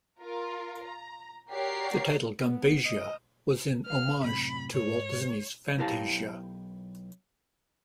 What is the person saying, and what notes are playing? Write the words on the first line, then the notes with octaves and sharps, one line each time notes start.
The title "Gumbasia" was in homage to Walt Disney's "Fantasia".
F4 A#4
A#5
F#4 G4 A#4 C#5 D5 C7
B3
D#5
B4 F5 F6
F#2 A2 C3 B5
G#2 C#5
B1 E4 G4 A#4 F5 A5